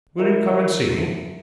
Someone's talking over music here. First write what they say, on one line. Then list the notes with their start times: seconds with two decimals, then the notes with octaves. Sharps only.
Will you come and see me?'
0.18 E4 A#4 D#5
0.47 E4 A#4 D#5